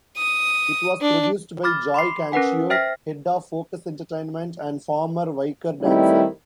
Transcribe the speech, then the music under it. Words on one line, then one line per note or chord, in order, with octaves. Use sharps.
It was produced by Joy Cancio, head of Focus Entertainment and former Vicor dancer.
D#6
D4
B5 D6 F6 A6
B5 C6 D6 C7
C#4 A#4 B4 F#5 G#5
C5 E5 G5 F6 A#6 B6
D#3 G3 A3 C4 D#4 E4